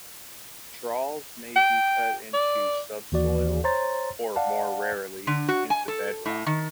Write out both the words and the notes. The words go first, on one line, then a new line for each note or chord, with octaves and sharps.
Troughs may be cut into subsoil or, more rarely, into bedrock.
G5
D5
D#2 E3 F#4 D5
C5 C#5 A#5 C6 A6
D5 F5 F#5 A5
D3
F#4
G#5
A4
A2
D#3